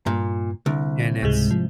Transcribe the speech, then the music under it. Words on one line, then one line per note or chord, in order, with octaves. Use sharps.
And it's
G2 A#2
C2 D3
C#2 G#2 C3 G#3
F3